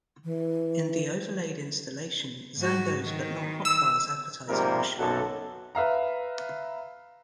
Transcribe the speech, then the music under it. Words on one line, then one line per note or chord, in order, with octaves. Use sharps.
In the overlaid installation, Zango's but not Hotbar's, advertising was shown.
E3
G#2 F#4
D#3
E6
G#2 C3 F3 G3 A#3 A#4
B1 F#2 F#4 A4
B4 E5 F5 A#5